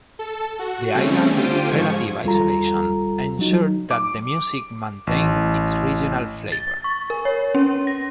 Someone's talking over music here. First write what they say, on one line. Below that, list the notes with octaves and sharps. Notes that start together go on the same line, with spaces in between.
The island's relative isolation ensured that the music maintained its regional flavor.
A4
F#4
C#3 G3 A3 C4 C#4
D3 F4 G4 C5 D7 D#7
G#2 F3 C#6 G#6
D#2 G3 F4 A4 A#5
F#3 D#4
D6
A1
A6
C#6
A#4
C#5
C#4
A#6